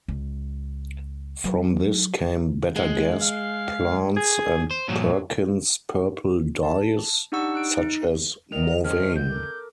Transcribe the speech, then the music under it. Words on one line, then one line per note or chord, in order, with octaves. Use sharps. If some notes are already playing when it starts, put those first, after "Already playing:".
From this came better gas plants and Perkin's purple dyes, such as Mauveine.
C#2
F#3
G#3
F5
G#4
C5
G2 A#2 F3 F#3
A5
D4 D#4 G4 F#5 C#6 E6
D#4 F#6 D7
D#4
D#3 A#4 D5 D#5 F7
D#3 G#3 C#4 C5 A5 C#6 F6
G6
A4 A#4 D6